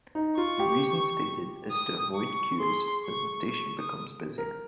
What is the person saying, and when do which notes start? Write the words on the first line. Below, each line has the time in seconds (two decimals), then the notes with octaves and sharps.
The reason stated is to avoid queues as the station becomes busier.
0.15 D#4
0.38 F4 C#6
0.60 G4
1.71 D#6
2.15 C#6
2.60 G#4 C6
3.04 C#6
3.49 C#6
3.78 D#6
4.38 A#4